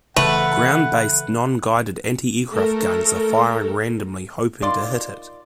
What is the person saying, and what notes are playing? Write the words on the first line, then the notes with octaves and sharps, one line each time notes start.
Ground based non-guided antiaircraft guns are firing randomly hoping to hit it.
C#3 E3 A3 B4 F#5
A3 A4 A#4
D#3 F4 D5 C6